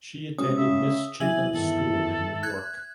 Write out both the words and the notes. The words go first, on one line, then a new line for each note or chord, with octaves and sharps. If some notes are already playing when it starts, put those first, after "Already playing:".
She attended Miss Chapin's School in New York.
B2 G#3 C#4 D#6
C#3 E5
E2 F#3 E5 G#5 E6 F#7
G2 D#3 A4
F#6 G#6